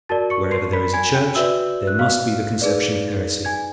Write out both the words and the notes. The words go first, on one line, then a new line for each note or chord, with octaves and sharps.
Wherever there is a church, there must be the conception of heresy.
F#4 A#4 D5 A5 A6
C#6 C#7
C6 C7
B5 B6
G#5 G#6
G5 G6
F#4 B4 D5 E5 E6
F#6
F5 F6
D#4 G#4 B4 D5
G#5 G#6